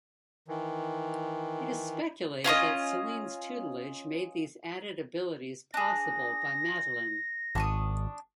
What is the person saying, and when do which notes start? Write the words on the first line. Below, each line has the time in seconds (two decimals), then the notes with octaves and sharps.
It is speculated that Selene's tutelage made these added abilities possible by Madelyne.
0.48 D#3 E3
2.44 C#4 F4 C#5 D#5
5.74 D4 G#4 A#6
7.55 G#1 D4 C#6 D#6